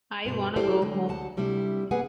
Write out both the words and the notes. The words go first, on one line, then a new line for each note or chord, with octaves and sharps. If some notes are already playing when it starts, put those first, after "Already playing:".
I wanna go home.
G2 B2 C5
E4 G4 A4 C5 D5
D3 F#3 G#3
D2 F#5 A5
C3 G3 A3 D4 E4
A#3 B3 G#4 B4 F#5 G#5